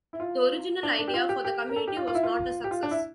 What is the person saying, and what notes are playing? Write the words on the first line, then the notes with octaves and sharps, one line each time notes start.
The original idea for the community was not a success.
E4
F4
D4
D4
G4
F4
G4
G4
A#4
A4
G4
F4
F4
E4
F4
G4
F4
D4
E4